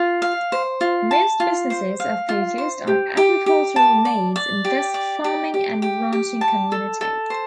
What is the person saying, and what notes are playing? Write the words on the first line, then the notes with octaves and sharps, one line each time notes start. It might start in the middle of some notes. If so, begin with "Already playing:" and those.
Most businesses are focused on agricultural needs in this farming and ranching community.
Already playing: F4
F5
C5
F4
A5
F4
C5
F5
F4
C5
G4
G4
G4
A5
D5
D5
G4
D5
G4
G4
G4
G4
A5
A4
A4
C5